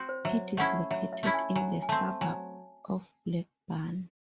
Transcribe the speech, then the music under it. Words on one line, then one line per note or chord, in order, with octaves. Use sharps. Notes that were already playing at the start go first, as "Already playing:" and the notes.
It is located in the suburb of Blackburn.
Already playing: C4 F#4
C5
F#3 E5
A3 C#4 E4 F#5
F#3 E5
E5
A3 C#4 E4
G#5
F#3 G#5
G#5
A3 C4 A5
F#3 G#5